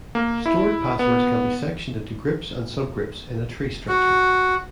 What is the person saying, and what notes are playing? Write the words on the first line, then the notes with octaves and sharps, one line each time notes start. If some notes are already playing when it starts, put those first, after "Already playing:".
Stored passwords can be sectioned into groups and subgroups in a tree structure.
A#3
E4
B3
F#4